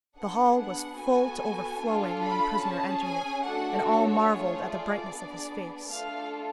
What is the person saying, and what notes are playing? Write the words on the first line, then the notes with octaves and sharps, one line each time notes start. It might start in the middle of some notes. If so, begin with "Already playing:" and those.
The hall was full to overflowing when the prisoner entered it, and all marvelled at the brightness of his face.
B3 D4 G#4 F#5
F#5
B3 F#4 A4 G#5
D4 F4 A4
B5
C#4 G#4 A5
G#5
A3 D4 F#4 A4 F#5
C#5
A3 F4 G#4
D5
B3 D4 G#4
A3 D4 F4 A4 F5